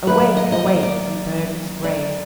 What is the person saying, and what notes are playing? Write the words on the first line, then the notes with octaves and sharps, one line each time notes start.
Awake, awake, ye burghers brave!
F#2 D#3 A#3 B4
D5
D#5
D#5
D5
D#5
D5
D5